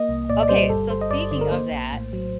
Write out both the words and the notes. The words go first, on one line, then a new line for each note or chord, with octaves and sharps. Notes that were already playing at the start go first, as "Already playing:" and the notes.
Okay, so speaking of that,
Already playing: A#3 D#5
C2
A#2 D5
D5
G3 C5
G1 A4
G1 C5
D#5
G2 D5
D3 D5
A#4
A#3 C5
A#1
A2
F#3